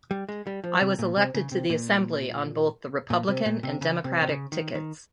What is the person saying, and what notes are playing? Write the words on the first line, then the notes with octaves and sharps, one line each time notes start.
I was elected to the Assembly on both the Republican and Democratic tickets.
G3
G#3
G3
F3
C3
A#2
C3
C#3
C3
A#2
A#2
C3
A#2
C3
C#3
C3
C3
C#3
D#3
D#3